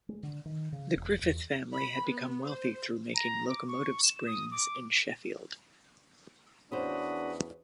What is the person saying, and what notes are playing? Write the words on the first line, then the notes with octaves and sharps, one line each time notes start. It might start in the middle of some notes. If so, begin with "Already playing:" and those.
The Griffith family had become wealthy through making locomotive springs in Sheffield.
G#3
D3
D#3
C#3
E1
E2
B5
B3
C5
A#5
D6
C#6
E7
D#6
D6
E2 C#4 D4 F4 F#4 C5 B5 D#6